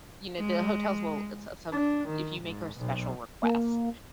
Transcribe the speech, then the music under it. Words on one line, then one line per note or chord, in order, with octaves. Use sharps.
you know, the hotels will if s s some if you make her a special request,
G#3
D4
D#3
G#2
B1 B2
A#3